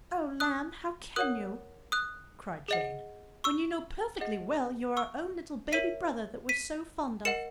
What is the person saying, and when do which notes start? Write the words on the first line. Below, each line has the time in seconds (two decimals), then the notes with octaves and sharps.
'Oh, Lamb! how can you?' cried Jane - 'when you know perfectly well you're our own little baby brother that we're so fond of.
0.40 D#6 F#6
1.16 A#4 C#5 F#5 D#6 F#6
1.92 D#6 F#6
2.68 G#4 D#5 F#5
3.44 C#6 E6
4.20 G#4 D#5 F#5
4.97 C#6 E6
5.72 A#4 C#5 E5 B6 D#7
6.49 B6 D#7
7.25 A#4 D#5 F#5 C#7 E7